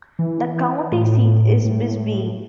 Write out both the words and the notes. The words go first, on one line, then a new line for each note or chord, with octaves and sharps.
The county seat is Bisbee.
E3
A2
A2